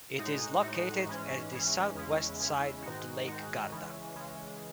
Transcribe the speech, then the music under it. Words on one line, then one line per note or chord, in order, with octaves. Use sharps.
It is located at the southwest side of the Lake Garda.
A2 G#3 D#4 F#4
A2 G#3 D#4 F#4
G#2 E3 G#3 C#4
G#2 E3 G#3 C#4
E2 C#3 G#3 C#4 E4
E2 C#3 G#3 C#4 E4
G#2 D#3 G#3 D#4 F#4
G#2 D#3 G#3 D#4 F#4
C#3 E3 G#3 C#4
C#3 E3 G#3 C#4